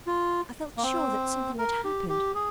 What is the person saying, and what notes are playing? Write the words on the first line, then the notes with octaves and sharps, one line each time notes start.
I felt sure that something had happened.
F4
A#3
C4
A#4
G4
G4
G#4